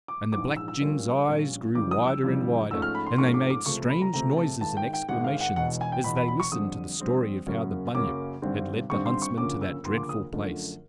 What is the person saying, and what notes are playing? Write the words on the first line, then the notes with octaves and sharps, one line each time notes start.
And the Black gins' eyes grew wider and wider, and they made strange noises and exclamations, as they listened to the story of how the "Bunyip" had led the huntsmen to that dreadful place.
D6
A#1 G#2 E3 D6
E6
E6
A#1 A#2 G3 A#3 C#4
A#1 A#2 G3 A#3 C#4
F2 C#3 E3 G3 D6
D#6
E6
F2 C#3 E3 G3
G#2 F3 A3 C#4 E6
F6
B5
C6
G#2 F3 A3 C#4 C#6
D6
D6
C#2 C3 F3 A3 C4 C#6
B5
A#5
C#2 C3 F3 A3 C4 A#5
A5
G#1 G#2 D#3 G#3 A5
G5
G5
G#1 G#2 D#3 G#3 F#5
F5
F#5
E1 E2 B2 F#5
G#5
G5
E1 E2 B2 B5
B5
B5
C#6
F2 D3 G3 C4 D#6
F2 D3 G3 C4
F#2 C#3 F#3 A#3 C#4
F#2 C#3 F#3 A#3 C#4 D6
G#1 G2 D3 G3 C4
G#1 G2 D3 G3 C4 C#6
C6
C#6
D2 C#3 F3 A#3 C#4 D6
E6
D2 C#3 F3 A#3 C#4 C6
D6
D#6
F#2 D3 F3 A3